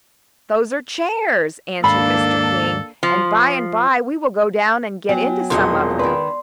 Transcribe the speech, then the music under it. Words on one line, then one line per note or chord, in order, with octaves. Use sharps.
"Those are chairs," answered Mr. King, "and by and by we will go down and get into some of them."
D#2 G#2 A#3 D4 A4 F5 B5
F3
F#3 B3 G5 G#5
E1 F2 A#2 D#5 C6
D#3 B4 D5 C6